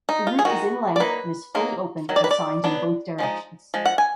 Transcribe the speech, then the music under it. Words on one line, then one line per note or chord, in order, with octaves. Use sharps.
The route is in length and is fully open and signed in both directions.
D#4
F4
G#4
D#3 G#3 D#4 F#4
D5
F#3 A#3 D#4 B4
F#3 A#3 D#4
D#3 F#3
D5
B4
D5
F#3 B3 D4
F3 G#3 D#4
F3 G#3
F#5
G#5